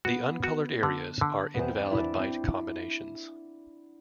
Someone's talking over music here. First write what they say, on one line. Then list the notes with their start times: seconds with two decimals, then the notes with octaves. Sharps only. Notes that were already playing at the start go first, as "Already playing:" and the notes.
The uncolored areas are invalid byte combinations.
0.05 B3 F#4
0.44 F#4
0.83 D3
1.21 D3
1.54 B3
1.59 E2 C4
1.79 D4
1.91 E4
1.98 E2 D4
2.17 C4